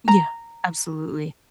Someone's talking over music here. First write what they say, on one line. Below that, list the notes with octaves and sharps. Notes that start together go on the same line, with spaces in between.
Yeah. Absolutely.
A#5